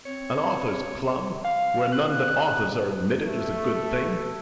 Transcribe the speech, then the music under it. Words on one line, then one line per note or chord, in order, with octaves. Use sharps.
An Authors' Club, where none but authors are admitted, is a good thing.
C4 C#5
F5
F#6
A3